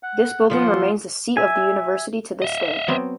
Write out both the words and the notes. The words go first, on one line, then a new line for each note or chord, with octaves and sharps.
This building remains the seat of the university to this day.
F#5
D#2 F3 F4 F#5 C6
E5 G#5
D#5 E5
F#3 B3 C4